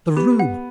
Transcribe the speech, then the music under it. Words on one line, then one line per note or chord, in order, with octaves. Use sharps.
The room!
B3 G4
F#5